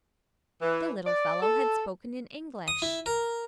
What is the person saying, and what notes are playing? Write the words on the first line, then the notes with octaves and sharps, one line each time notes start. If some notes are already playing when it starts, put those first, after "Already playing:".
The little fellow had spoken in English.
E3
D5
A4
D#6
E4
A#4